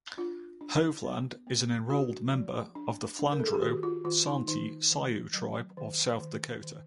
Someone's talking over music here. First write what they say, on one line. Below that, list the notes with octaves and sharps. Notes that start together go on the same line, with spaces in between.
Hovland is an enrolled member of the Flandreau Santee Sioux Tribe of South Dakota.
D4 F4
D4
B3
B3
D4 F#4
F3
D4
D4
A#4
A4
G#4
G4
D#3 F#4
F4
D#3 F4
D#4
D#3 D#4
D#3
F#3
D#3
D#3
D#3